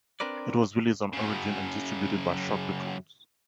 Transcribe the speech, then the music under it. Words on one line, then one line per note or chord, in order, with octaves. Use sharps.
It was released on Origin and distributed by Shock Records.
C4 D4 A#4 B4 D5
F#2 C#3